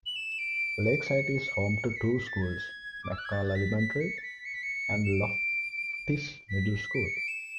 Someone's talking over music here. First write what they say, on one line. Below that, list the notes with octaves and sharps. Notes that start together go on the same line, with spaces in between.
Lakesite is home to two schools: McConnell Elementary and Loftis Middle School.
F#7
E7
D7
C#7
B6
B6
A6
G#6
D6
E6
F#6
G#6
A6
A6
B6
B6
C#7
A6
B6
C#7
B6
C#7
E7
D7
B6
D7
C#7
D7
E7